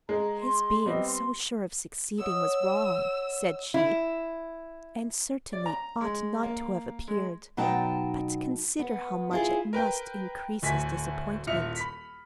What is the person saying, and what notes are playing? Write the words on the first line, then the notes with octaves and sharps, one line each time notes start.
"His being so sure of succeeding was wrong," said she, "and certainly ought not to have appeared; but consider how much it must increase his disappointment!"
G#3 A#5
C6
G3 B3 C4 D#5
C6
C#5 D#5 F#5 E6
E4
D5
A#5
G#3
A#3
G#3
B2 F#3 D#4 G5 A5
B3
E4 F4 G#4
A#4 B4 G5
D1 D2 G#5 B6
D#1 E4 E5 F6 C#7 F7
B5 B6